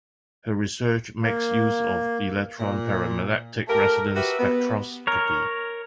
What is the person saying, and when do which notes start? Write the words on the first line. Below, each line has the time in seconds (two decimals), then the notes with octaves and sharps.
Her research makes use of electron paramagnetic resonance spectroscopy.
1.23 A#3
2.59 A#2
3.68 A3 G4 A#4
4.15 F#4 G4 B4 E5
4.39 B3
5.07 A#4 C#5